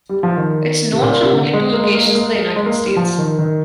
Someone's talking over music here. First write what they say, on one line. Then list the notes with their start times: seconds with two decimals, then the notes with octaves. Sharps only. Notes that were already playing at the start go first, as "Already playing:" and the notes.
It is known from only two locations in the United States.
0.09 G3
0.23 F3
0.37 D#3
0.92 C3
1.02 A#2
1.12 A#2
1.22 C3
1.32 D3
1.53 G#3
1.73 A#3
1.84 G#3
1.95 A#3
2.05 G#3
2.15 A#3
2.35 G#3
2.56 G#3
2.66 A#3
2.87 G3
2.96 F3
3.18 D#3
3.39 D#3